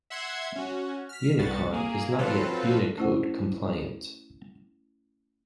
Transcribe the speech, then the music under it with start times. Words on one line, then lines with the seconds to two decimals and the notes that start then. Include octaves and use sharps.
Unicon is not yet Unicode-compliant.
0.10 E5 F#5 C6 G#6
0.56 C#4 F#4
1.09 F6 B6
1.39 C2 G3 B3 F#4 A6
1.72 A#3 G#4
2.18 F3 F#3 C4 F4 A4 B4
2.98 A3 C#4 E4 C5 F#5